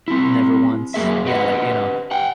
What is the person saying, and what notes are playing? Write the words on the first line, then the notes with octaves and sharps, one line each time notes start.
Never once Yeah, like, you know,
C4 E4
F#2 A#3 G#4 E5
G4 B4 D#5 F#5
F#5 G5